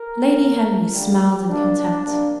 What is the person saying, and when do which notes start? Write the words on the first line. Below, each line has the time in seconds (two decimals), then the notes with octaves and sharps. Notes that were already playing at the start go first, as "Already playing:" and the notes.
Lady Henry smiled in contempt.
Already playing: A#4
0.35 D3 A#3
0.91 D3 G3 A#3 G4
1.48 C3 A#3 D4
1.77 D4
2.05 C3 A#3 D4